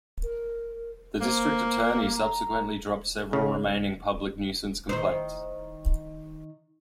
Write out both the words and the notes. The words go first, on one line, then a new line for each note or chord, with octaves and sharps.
The District Attorney subsequently dropped several remaining public nuisance complaints.
A#4
A#3 C5
A#5
C#3
D#3 C5